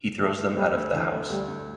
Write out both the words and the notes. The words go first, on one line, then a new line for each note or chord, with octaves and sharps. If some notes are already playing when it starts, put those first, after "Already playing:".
He throws them out of the house.
D3 A3
A3
D2 G3
D2
D3 E3
A3
D2 G3
D2